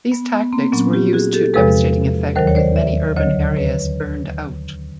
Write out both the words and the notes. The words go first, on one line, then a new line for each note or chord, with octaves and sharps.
These tactics were used to devastating effect with many urban areas burned out.
B3
B3
A#3 C4
A#2 F#3 B3 C#4
F4 G4
F#4 G#4
G4 A4
E2 C3 F3 G#3 A4 B4
D#2 D#3 F#3 A#4 C5
C#5
C5 D5
D5 E5
D2 D3 F#3 C#5 D#5
B4 C#5